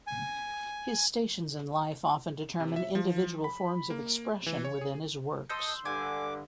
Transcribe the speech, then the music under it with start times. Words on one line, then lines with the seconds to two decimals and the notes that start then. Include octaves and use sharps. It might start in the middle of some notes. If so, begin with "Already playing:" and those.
His stations in life often determine individual forms of expression within his works.
0.07 G#5
2.60 C3
2.76 E5
2.95 F3
3.44 B5
3.90 A#3
4.46 E3
4.65 C#5
4.81 G#4
5.49 A4 D#5 C6 E6 G6
5.85 G2 D3 G#5 D6